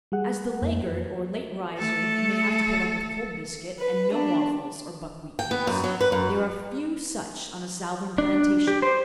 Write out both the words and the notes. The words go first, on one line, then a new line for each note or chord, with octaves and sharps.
As the laggard, or late riser, may have to put up with cold biscuit, and no waffles or buckwheat cakes, there are few such on a Southern plantation.
G3 G#4 F#5
F2 A#3
A3 A4
B4
D4
G5
B3
F#2
F#3
B4
F#2
D4
G4
C5